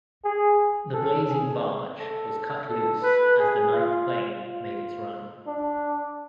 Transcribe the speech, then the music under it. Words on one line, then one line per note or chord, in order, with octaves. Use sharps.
The blazing barge was cut loose as the ninth plane made its run.
G#4
A4
G#4
A4
A4
B4
G#4
F4
F4
D4